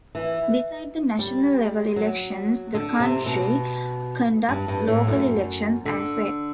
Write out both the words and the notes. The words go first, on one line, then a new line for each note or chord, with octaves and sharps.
Beside the national level elections the country conducts local elections as well.
E3
G3
F#3
D3
C3
B2
G2
G2
A2
F#2
D3